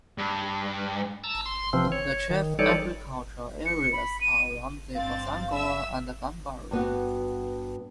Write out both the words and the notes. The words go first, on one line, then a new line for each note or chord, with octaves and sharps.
The chief agricultural areas are around the Bossangoa and Bambari.
G2
A5 A#5 E6
C6
C3 E3 F3 C4
C#5
D#3
E3 G3 D#4 A4 C#5 D5
C#7
B5
D#7
G2 C4 F5 A6
E5 E6
G2 B3 F#4